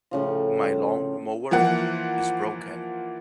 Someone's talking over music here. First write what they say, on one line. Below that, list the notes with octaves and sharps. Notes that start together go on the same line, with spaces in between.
My lawn-mower is broken.
A2 C#3 F3
E3 F3 A#3 F#5